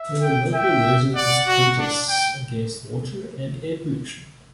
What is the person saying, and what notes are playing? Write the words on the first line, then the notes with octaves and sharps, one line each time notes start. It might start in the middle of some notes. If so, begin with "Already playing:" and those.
There were local residents' protests against water and air pollution.
Already playing: E5
G5
E5 G5
D5 F#5
F#4
D4
G5